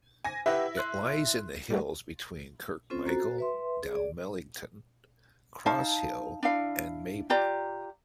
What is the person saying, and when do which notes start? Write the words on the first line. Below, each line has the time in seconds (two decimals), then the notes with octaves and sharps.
It lies in the hills between Kirkmichael, Dalmellington, Crosshill, and Maybole.
0.24 G#5 A#6
0.46 E4 G4 B4 E5 F#5
0.77 C6 F#6
1.70 G3 A3 F#4
2.90 C4 C#4 F4 A4 C5
3.06 F#4 A4 C5 A#5
3.38 B4 E5 C6
3.83 G#4
3.96 D5
5.66 D#4 F5 A5
6.43 D4 E4 F5
7.30 F4 G4 D5 A#5